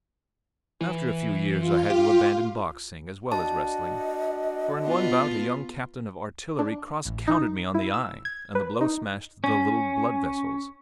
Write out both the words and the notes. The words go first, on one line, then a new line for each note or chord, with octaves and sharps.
After a few years I had to abandon boxing as well as wrestling, for in one bout a young captain of artillery cross-countered me on the eye, and the blow smashed the little blood-vessels.
E3
F4
G4
D4 F#4 D#5 A5
B3 F4
D4
A1
D#4
E4
E6
G#6
B4
D#4
C#4